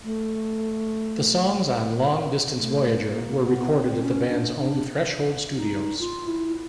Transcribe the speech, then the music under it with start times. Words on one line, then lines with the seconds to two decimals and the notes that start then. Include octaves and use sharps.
The songs on "Long Distance Voyager" were recorded at the band's own Threshold Studios.
0.04 A3
2.59 A3
3.01 A#3
3.43 B3
3.72 C4
4.01 C#4
4.29 D4
4.58 D4
5.56 D#4
5.99 F4
6.27 E4